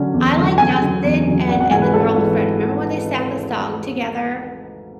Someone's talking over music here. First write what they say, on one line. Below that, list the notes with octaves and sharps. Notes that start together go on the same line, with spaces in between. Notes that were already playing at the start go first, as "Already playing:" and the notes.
I liked Dustin and and the girlfriend. Remember when they sang the song together?
Already playing: D3 F#3 C#4
E2
D3 F#3 C#4
E2 G#5
D3 F#3 C#4
E2
D3 F#3 C#4
G#1 F#5
F#5
G#2 E3 G#5
B4
G#1 A4
G#2 E3